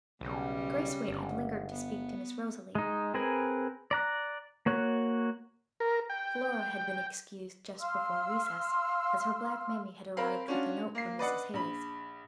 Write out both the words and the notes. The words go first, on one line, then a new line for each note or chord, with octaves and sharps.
Grace Waite had lingered to speak to Miss Rosalie; Flora had been excused just before recess, as her black mammy had arrived with a note from Mrs. Hayes.
B1 C#3 G3 C#4
G1
B3
G#3 D#4
C4 G#4 A#4 B4 G#5
D5 A#5 F#6
A#3 F#4 C#5 F#6
A#4
G5
F5 C6 E6 F6
C4 A#4 F5 B5
C#4 D4 F4 F#4
A#3 C7
B4 D5 D#5 F#5
A#1 B5